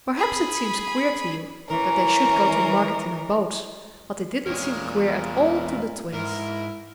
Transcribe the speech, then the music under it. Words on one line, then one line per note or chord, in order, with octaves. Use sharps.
Perhaps it seems queer to you that they should go to market in a boat, but it didn't seem queer at all to the Twins.
G#4 B5
E3 C#4 A#4
E2 A#2 G3 G#3 A#4 C#5
A#3 A#4 B4
G#2 E4 A#4